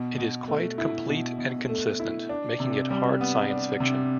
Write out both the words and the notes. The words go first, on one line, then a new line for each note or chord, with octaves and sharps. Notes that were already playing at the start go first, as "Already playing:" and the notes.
It is quite complete and consistent, making it hard science fiction.
Already playing: B2
B2
A3
E4
B2
B2
A3
E4
D4
C3
G3
B3
D4
C3